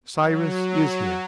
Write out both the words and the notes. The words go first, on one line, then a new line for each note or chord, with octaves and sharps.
"Cyrus is here!"
F#3